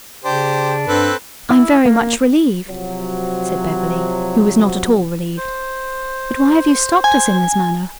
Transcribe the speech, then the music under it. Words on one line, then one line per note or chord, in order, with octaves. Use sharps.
"I am very much relieved," said Beverly, who was not at all relieved. "But why have you stopped us in this manner?"
C#3 D4 G4 C5
G2 C4 A4 B4
E4
A#3
C3 F3 F#3
C5
G#5